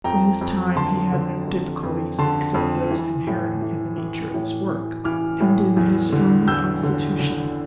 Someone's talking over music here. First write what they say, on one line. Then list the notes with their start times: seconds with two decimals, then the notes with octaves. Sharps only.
From this time he had no difficulties except those inherent in the nature of his work, and in his own constitution.
0.04 F2 G5 A#5
0.41 F2
0.76 D3 A5 C6
1.12 D3
1.47 F2
1.83 F2
2.19 D3 A5 C6
2.54 F2
2.91 E3
3.27 A2
3.62 E3
3.98 E3
4.34 A2
4.69 E3
5.04 E3 D6 F6
5.40 A2
5.77 E2
6.12 D3
6.48 E2 E6 G6
6.83 D3
7.20 D3